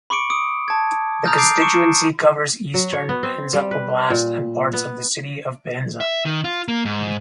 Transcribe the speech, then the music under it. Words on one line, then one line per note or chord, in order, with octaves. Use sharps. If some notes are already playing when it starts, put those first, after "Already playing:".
The constituency covers eastern Penza Oblast and parts of the city of Penza.
B5 C#6 D6 C#7 D7
D6 D#6 D7
A5 G#6
A#5 D#6 F6 G6 A6 A#6
A5 D6 D#6 G6 C7 D7
C#6 D6 C#7 D7 E7
F#3
C#5
B3
C4
G3
B4
A#2
B3
E5
D#3
F4
A#3
G#2